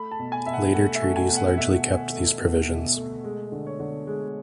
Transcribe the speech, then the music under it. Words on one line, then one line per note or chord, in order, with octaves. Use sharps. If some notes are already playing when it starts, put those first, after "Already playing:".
Later treaties largely kept these provisions.
Already playing: A3 B5
A5
B2
G#5
B2 E5
F#5
A3 F#5
E5
A3
G#5
B2
F#5
B2 E5
A3
A3
B2
B2
A3
G#3
D3
C#5
D3
G#3